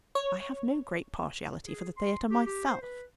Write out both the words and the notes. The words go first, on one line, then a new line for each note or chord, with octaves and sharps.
I have no great partiality for the theatre myself.
C#5
G#4
C6
G4
G4
C5
B4